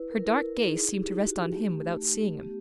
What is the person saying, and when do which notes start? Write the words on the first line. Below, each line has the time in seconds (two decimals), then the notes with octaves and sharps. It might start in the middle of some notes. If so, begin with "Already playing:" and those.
Her dark gaze seemed to rest on him without seeing him.
Already playing: E4 B4
0.11 A#4
0.25 E4
0.39 A#4
0.67 D#4 G#4
0.97 G4
1.10 D#4
1.25 F#4
1.54 A3 G4
1.97 A3
2.40 B3 G4